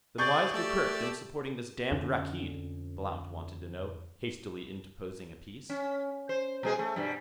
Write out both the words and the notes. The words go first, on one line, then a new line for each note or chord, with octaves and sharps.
"Then why's Gurgurk been supporting this damned Rakkeed?" Blount wanted to know, hastily interposing a piece.
G#4 D5 C#6 G6 A6
A3 G4 D5 E6
F2 D3 C#4
C#4
C5
B2 G#3 G#4
A3
G2 B2 G3